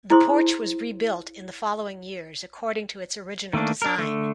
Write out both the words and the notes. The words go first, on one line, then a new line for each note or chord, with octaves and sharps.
The porch was rebuilt in the following years according to its original design.
E4 G#4 C5 C6 D#6
D#3 A3 A#3 D4
D4 A#4
D3 A3